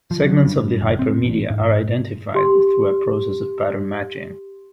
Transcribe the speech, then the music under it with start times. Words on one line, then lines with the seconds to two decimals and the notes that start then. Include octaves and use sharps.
Segments of the hypermedia are identified through a process of pattern matching.
0.11 F3
0.24 F#3
0.46 G2
0.82 F#1
0.99 C4
1.24 A1
1.50 G#2
2.35 G4 C6